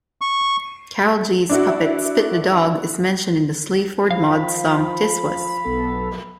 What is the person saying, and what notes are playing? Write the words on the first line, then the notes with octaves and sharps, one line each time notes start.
Carolgees' puppet Spit the Dog is mentioned in the Sleaford Mods song Tiswas.
C#6
D4 E4 F#4
F3 F5 B5
B1 B3 A4